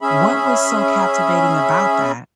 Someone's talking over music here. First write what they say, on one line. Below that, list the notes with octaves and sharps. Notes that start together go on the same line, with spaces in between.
What was so captivating about that?
C#4 G#4 E5 B5